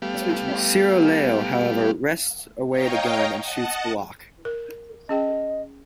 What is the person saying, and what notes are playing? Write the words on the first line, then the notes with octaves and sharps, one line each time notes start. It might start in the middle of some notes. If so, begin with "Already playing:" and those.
Siroleo, however, wrests away the gun and shoots Block.
G3 A3 B3 G4 F5
C#5 D#5 F5 G5 A#5
D#5 F#5 A5
A#4
C#4 G#4 D#5 G5